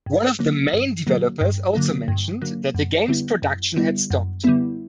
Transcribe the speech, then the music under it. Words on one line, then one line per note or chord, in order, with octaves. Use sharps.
One of the main developers also mentioned that the game's production had stopped.
G2
D3 F#3 A#3
G2
D3 F#3 A#3
G2
D3 F#3 A#3
G2
D3 F#3 A#3
F#2
D3 G3 B3 E4
F#2
D3 G3 B3 E4
F#2
D3 G3 B3 E4